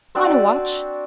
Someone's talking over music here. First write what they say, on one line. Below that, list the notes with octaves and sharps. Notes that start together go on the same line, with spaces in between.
"On a watch."
C4 D4 F#4 D5